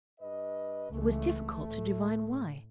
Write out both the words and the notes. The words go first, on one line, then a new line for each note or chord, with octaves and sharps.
It was difficult to divine why.
G2 B4 D#5
C#2 E3 A3
A2